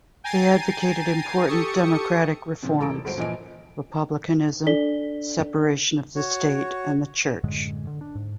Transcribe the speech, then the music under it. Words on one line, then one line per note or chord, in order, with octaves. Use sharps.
They advocated important democratic reforms, republicanism, separation of the state and the church.
G5 G#5 A#5 A6 C7 D#7
G4 A4 C#6 D#6 C#7
A#2 C#3 F3 C4
E1 A1 A4 A#5 D7
G1 D2 F#3 C5 D7
A#2 E3 F3 D#5 G#5 D7
D4 A4 D5 B6 G7
F#4 C#5
F#2 A2 D3 G#3
D3
D4
G#2